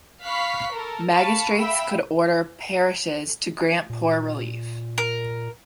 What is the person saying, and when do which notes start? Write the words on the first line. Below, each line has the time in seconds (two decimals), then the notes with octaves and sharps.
Magistrates could order parishes to grant poor relief.
0.24 F5 B5 C#6 F#6 B6 C7
0.72 A4 A#4
1.13 F5 A5 B5 C#6
1.56 E5 F5 G5 B5 E6
3.90 A#2
4.98 A#4